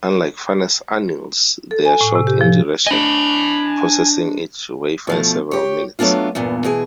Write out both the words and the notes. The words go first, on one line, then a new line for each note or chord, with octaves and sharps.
Unlike furnace anneals they are short in duration, processing each wafer in several minutes.
A4
G#5
A2
C3
G4
F3
D4 D#5 G#5 B5
B2 F3 A3
G4 C#5
F#3 A3 B3 D4 F4
E2 G2 A#2 B3
B2 E3 G#4